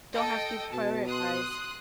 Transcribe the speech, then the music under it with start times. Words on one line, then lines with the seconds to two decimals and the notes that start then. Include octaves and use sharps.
don't have to prioritize.
0.13 A4 D#5 G5
0.72 B2 A5
1.07 C6 D#6 F#6